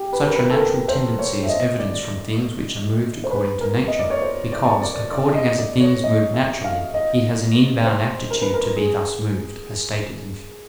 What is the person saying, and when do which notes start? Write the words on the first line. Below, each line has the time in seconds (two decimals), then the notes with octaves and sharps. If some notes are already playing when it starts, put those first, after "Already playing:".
Such a natural tendency is evidenced from things which are moved according to nature: because "according as a thing is moved naturally, it has an inborn aptitude to be thus moved," as stated in Phys.
Already playing: G4
0.13 B4
0.28 A#4
0.35 B4
0.51 A4
0.58 A#4
0.88 C5
1.19 C#5
1.43 E5
1.49 D#5
1.79 D5
3.24 C5
3.31 B4
3.61 A#4
3.88 D#5
3.99 D5
4.10 C#5
4.22 C5
4.52 D5
4.82 D5
5.12 D5
5.35 D#5
5.58 D5
5.81 C#5
6.04 D#5
6.34 E5
6.64 F5
6.94 D#5
7.85 C5
8.30 A#4
8.42 B4
8.54 A#4
8.76 G#4